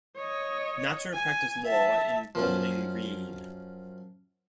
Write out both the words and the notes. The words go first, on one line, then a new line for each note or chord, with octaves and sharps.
Natcher practiced law in Bowling Green.
C#5 D#5
G#5
E5 A5
F#2 F3